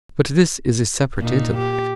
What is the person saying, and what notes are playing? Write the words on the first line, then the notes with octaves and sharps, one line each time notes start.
But this is a separate intellect.
A#2 D#4
G4